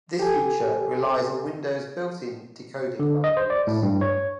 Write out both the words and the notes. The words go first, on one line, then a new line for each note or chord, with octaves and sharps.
This feature relies on Windows' built in decoding libraries.
G4 A4 G#5
D3
D#5
C5
D5
A2
G2
C#5